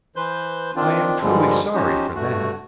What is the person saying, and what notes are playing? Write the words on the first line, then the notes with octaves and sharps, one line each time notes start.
"I am truly sorry for that."
E3 B4 C5 G6
D#3 C4 D4 F4
G2 D3 F3 G3 G#3
F3 C#4 D#4 F#4 G4 C5
G2 A3 F#4